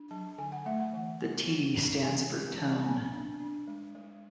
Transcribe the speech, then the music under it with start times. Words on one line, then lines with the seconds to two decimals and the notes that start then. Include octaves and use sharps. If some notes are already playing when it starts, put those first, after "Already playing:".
The T stands for "Tone".
Already playing: D4
0.11 F#3 A5
0.38 D3 G#5
0.52 F#5
0.66 A3 E5
0.79 F#5
0.93 E3
1.21 B3
1.48 E3
1.76 D4
2.03 E3 G#5
2.30 G#3
2.58 E3 A5
2.80 A5
2.85 C#4 G#5
3.12 D4
3.40 D4
3.68 G#3
3.95 G#3